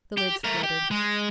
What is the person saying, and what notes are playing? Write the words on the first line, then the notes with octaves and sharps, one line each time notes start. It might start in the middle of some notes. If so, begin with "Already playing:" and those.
The lids fluttered.
G4
A3 A#4
G4
G#3